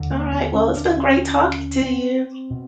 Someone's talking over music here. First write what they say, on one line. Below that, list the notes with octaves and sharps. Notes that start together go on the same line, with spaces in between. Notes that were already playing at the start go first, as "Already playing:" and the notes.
Alright. Well, it's been great talking to you.
Already playing: D#2 D3
A#3
B3
C#4
D4
C#4
C4
B2